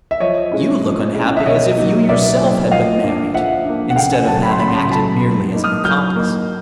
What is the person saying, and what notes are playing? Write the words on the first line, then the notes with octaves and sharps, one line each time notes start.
You look unhappy as if you yourself had been married instead of having acted merely as an accomplice.
E5
F3 C#5 D#5
G#3 C#4 E4
F3
G#3 C#4 E4
E5
B2 C#5 D#5
F#3 A#3 D#4
B2 D5 E5
F#3 A#3 D#4
F3 D#5 F5
A#3 D4
F3 E5 F#5
A#3 D4
F#5
C#3 F5 G5
F#5 G#5
F#3 A3 G5 A5
B5
C6
C#3 B5
C6
B5
C6
F#3 A3 A5 B5
F#3
A#3 D#4
D#6 F6
F#3 F6 G6
A#3 D#4